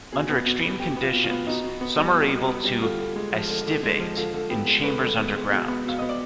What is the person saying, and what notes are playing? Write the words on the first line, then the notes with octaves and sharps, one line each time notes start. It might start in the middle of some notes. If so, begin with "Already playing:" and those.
Under extreme conditions, some are able to aestivate in chambers under ground.
B2 G#4
B3
B2
B3
B2 G4
B3
F4
B2
F4
B3
B2 D#4
B2
B3
G3
B2
B2
B3
G3
D3 F4
D3
G#3
F3
D3
D3
G#3
F3
D3 F4
D3
B3 G4
G#3
D3 B4
D3
B3
G#3
B2
B3
B2 F5
B3 D#5
D5